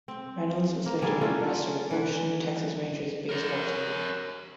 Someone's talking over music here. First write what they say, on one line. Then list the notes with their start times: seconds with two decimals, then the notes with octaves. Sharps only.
Reynolds was later an investor with Bush in the Texas Rangers baseball team.
0.08 C4
0.86 A#3
1.02 D3 G3 A#3 G#4
1.21 C#4 D4 E4 F4
1.91 E3 B4
3.29 A#4 C#5